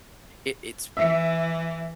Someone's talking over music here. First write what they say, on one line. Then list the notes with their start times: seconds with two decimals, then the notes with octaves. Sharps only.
it it's
0.97 E3 E5